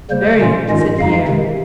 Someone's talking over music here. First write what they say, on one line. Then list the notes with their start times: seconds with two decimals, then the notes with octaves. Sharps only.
"Very," said Pierre.
0.10 C#3 G3 A#3 C5
0.40 A#2 G3 C#4 F4
0.69 G#2 D#3 G#3 C#4 F4 D#5
0.98 F2 C#3 G#3 D#4 F5
1.27 C3 D#3 G#3